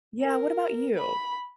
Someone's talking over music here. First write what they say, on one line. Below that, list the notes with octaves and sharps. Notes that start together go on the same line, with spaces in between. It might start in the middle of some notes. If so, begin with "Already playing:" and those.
Yeah, what about you?
A#4
B5